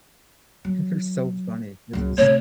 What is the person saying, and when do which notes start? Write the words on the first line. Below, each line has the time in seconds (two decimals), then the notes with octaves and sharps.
They're so funny. It's just
0.65 F#3
1.93 C#2 F#2
2.18 C3 A3 C#5